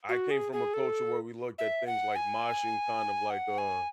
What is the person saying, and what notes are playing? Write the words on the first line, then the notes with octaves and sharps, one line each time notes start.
I came from a culture where we looked at things like moshing kind of like, uh
F#4
G#4
G#4
A4
E5
F#5
G#5
F#5
G#5